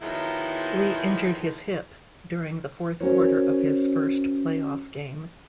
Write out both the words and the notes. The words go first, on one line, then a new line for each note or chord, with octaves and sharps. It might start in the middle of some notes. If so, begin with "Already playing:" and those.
Lee injured his hip during the fourth quarter of his first playoff game.
D#3 F3 F#3 G#3 B3 E4
C#4 F#4 A#4 C5 C#5